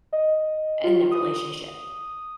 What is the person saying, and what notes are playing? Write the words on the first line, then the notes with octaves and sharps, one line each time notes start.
in the relationship?
D#5
F4
D#6